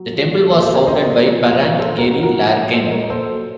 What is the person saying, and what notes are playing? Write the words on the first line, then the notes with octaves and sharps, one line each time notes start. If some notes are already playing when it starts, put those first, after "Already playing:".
The temple was founded by P'arang Geri Larkin.
Already playing: F#3
F3
F3
A#2 F4 A4
A4 C5
F#3
A#4 C#5
F#3 C5 D#5
C3
F3
F3
A#2 A#4 C#5
A#2 A4 C5
F3 F#4 A#4
D#4 F#4
F3
F#4 A#4
A2
F3
A#2 A4 C5
D#5
A#2 A#4 C#5
A#2 A4 C5
F#3